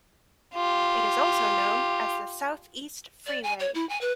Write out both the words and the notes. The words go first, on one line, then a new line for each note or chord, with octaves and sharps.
It is also known as the Southeast Freeway.
F4 G4
D5
G#5
C#5
E4
G#5
B4